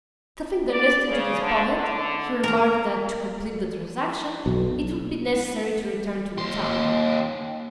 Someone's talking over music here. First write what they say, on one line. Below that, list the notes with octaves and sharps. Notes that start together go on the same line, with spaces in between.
Stuffing the list into his pocket, he remarked that, to complete the transaction, it would be necessary to return to the town.
D5
C#3
D3
D3
A#4 A#5
B1
D#2 C6